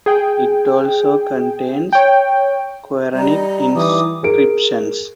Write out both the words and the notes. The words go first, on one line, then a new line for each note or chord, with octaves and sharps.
It also contains Qur'anic inscriptions.
G#4 G5
C#5 G5
G3 D#5 A#5
E3 D#4 D6 D#6
G#4 A#4 D7